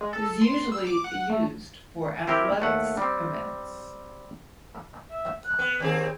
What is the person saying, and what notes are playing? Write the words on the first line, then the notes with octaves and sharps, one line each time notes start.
It is usually used for athletics events.
G#3
A4
C6
E6
D6
F#5
A3
C4 E4 G4 A#4 G5
D#2 A3 F#5
G3 C4
E5
F#6
B3
D#2 C4 G#4 G#6